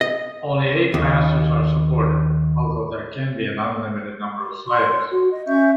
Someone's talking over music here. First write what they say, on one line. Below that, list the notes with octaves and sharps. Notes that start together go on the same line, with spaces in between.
Only eight masters are supported, although there can be an unlimited number of slaves.
D#5
D#2
C6
F#4
D#5
C#4 E5 C#6 G6